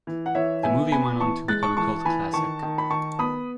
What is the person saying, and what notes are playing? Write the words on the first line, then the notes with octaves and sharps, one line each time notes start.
The movie went on to become a cult classic.
E3
F#5
E3 C#5 E5
B3 E5 G#5
B3 G#5 B5
E3 A5 C#6
G#3 F#6 A6
A5 C#6
E3 A5 C#6
E3 G#5 B5
D#3 A5 C#6
D#3
B5
D#3 A5 C#6
B3 B5 D#6